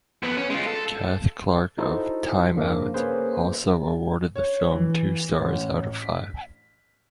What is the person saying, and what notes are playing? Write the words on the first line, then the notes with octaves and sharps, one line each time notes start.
Cath Clarke of "Time Out" also awarded the film two stars out of five.
F2 B3
C#4
G#3 F4
A4
D#4 E4 F#4 A4 C5 C6
G2 C#3 F3 A#3
A#3 C#4 G#4 B4 C5
C#5
E3
A1
B6